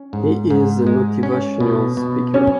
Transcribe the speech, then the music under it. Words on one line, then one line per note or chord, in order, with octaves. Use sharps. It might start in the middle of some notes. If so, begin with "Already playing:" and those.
He is a motivational speaker.
Already playing: C#4
G#2
G#2
G#3
C#4
B2
B2
F#3 C#4